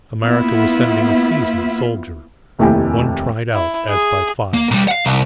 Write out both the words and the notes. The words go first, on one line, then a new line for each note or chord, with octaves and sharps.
America was sending a seasoned soldier, one tried out as by fire.
A#3 B3 E4 F4
F1 D#2 A3 E4 G4 G#5
E4
G#4
A#3
B1 G3
F5 F#5
C2